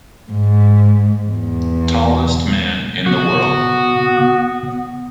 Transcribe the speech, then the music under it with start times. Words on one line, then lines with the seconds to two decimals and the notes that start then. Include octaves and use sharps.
Tallest man in the world.
0.32 G#2
1.30 E2
3.06 B3 F#4